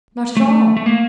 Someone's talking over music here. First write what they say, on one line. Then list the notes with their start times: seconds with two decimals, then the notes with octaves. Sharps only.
Not at all.
0.37 A3
0.77 A3
0.86 A#3